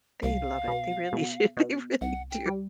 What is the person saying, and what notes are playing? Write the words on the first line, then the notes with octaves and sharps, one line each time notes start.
They love it, they really do they really do,
C2 F5
B2
B2
B2
C2 F#5
G5
G3